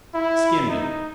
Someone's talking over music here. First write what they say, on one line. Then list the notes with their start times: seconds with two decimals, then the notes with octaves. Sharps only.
Skimmed it.'
0.14 E4
0.68 D#4